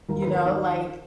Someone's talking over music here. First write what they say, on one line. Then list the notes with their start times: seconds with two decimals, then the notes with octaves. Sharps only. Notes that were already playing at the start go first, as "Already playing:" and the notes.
you know, like
0.09 D#2 A#4
0.22 B4
0.27 D#2 A#4
0.45 D#3